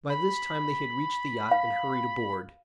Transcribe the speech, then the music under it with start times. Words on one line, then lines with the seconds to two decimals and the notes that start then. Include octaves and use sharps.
By this time they had reached the yacht and hurried aboard.
0.10 B5
1.51 F5